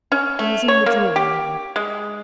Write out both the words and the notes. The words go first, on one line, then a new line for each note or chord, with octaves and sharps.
He is in the drawing-room.'
C#4
A3
C#5
A#3
G4
G#3